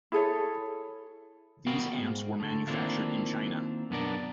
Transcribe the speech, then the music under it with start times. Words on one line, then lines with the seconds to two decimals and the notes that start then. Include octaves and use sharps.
These amps were manufactured in China.
0.12 E4 G#4 A4 C#5
1.67 B3 F#4 A#4 F5 G5 B5
1.97 B1 G#2
2.40 D3 A3
2.67 D#3 A#3 C4 D4 E4 F4
3.90 F#2 B2 B3 D4 A#4 D5